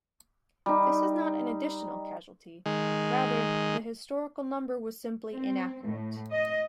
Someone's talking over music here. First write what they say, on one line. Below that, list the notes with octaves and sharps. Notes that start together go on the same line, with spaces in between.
This is not an additional casualty; rather the historical number was simply inaccurate.
G3 D#4
D#3 G#3
C4
A2
D#5